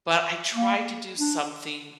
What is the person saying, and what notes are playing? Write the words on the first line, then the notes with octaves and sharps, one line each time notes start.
but I try to do something
A#3
D4